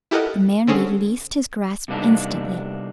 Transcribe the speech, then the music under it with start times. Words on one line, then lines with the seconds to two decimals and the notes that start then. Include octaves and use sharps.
The man released his grasp instantly.
0.11 E4 G4 A4 A#4 D#5 F#5
0.67 D3 C4 C#4 G#4
1.88 C3 G3 A#3 B3 D4 D#4